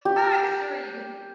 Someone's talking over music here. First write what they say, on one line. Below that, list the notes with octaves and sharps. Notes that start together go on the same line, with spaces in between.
I assure you.
G4